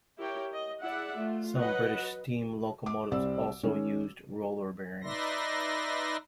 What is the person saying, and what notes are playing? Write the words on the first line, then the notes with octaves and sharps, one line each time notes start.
Some British steam locomotives also used roller bearings.
E4 G4 A#4 C#5 G5
D#5
E4 G#4 D5 E5 F#5
A3 F4
F#3 B4 D#5 F#5
D6
C2 G3 C4 D5 E6
D#3 G#3 C#4
D#4 B4 D5 E5 C6 A#6